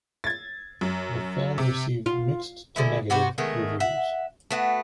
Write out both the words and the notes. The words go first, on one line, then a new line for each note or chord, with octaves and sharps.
The film received mixed-to-negative reviews.
G#6 A6
F#2
C3
F4
D3 G#3 E4
C3 F#4 G4 B4
D#3 G#3 A3 B3
E5 F#5
A3 B3 F#4